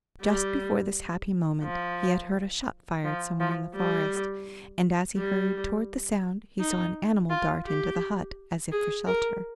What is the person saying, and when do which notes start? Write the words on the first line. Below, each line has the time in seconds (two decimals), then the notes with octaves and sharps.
Just before this happy moment he had heard a shot fired somewhere in the forest, and as he hurried toward the sound he saw an animal dart into the hut, as if for shelter.
0.22 G3
1.63 F3
3.05 F3
3.40 F3
3.75 G3
5.18 G3
6.59 D#4
7.30 F4
7.66 G4
8.72 G#4
9.07 A#4